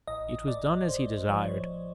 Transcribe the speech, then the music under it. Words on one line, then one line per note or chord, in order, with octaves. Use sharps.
It was done as he desired.
A1 D#5
A1 D5
A2 C5
F3 C#5